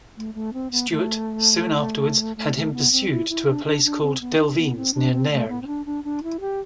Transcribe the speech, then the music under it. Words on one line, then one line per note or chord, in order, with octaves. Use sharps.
Stewart soon afterwards had him pursued to a place called Delvines, near Nairn.
A3
A3
C4
B3
A3
A3
A3
B3
C4
E4
E4
D4
D4
D4
C4
B3
D4
B3
C4
D4
C4
A3
B3
C4
D4
D4
D4
E4
G4